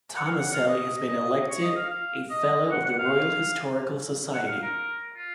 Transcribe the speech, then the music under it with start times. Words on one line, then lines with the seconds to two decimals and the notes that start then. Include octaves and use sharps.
Tomaselli has been elected a Fellow of the Royal Historical Society.
0.16 F#5
0.26 F5
0.40 F#5
0.54 F5
0.67 D#5
1.08 D#5
1.49 C#5
1.62 D#5
1.76 F5
1.90 F5
2.30 D#5
2.72 F#5
2.85 F#5
2.99 F5
4.35 F#5
4.48 F5
4.62 A#4
5.16 F4